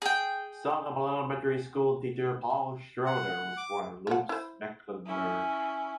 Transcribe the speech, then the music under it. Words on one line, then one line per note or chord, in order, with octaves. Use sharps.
Son of an elementary school teacher, Paul Schröder was born in Lübz, Mecklenburg.
G#4 G5
F#5
D6
F3 F#5
E4 C5
C#4 E4